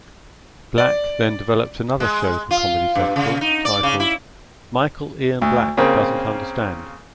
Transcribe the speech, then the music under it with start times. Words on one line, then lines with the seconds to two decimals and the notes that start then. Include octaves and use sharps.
Black then developed another show for Comedy Central titled "Michael Ian Black Doesn't Understand".
0.78 D5
2.00 G#3
2.51 F4
2.95 G2
3.16 C#3
3.41 D#4
3.65 D5
3.83 C#3
4.00 E4
5.42 D2
5.77 C#3 A#3 C4